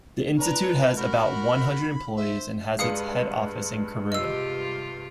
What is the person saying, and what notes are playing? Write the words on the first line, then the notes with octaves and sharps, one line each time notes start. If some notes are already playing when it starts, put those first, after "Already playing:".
The institute has about one hundred employees and has its head office in Kiruna.
D4 B4 A#5
F#4 A#4 B5
C5 E5
G2 G#3 B4 F5 D#6 C#7
C3 F4 G4 D#5 E6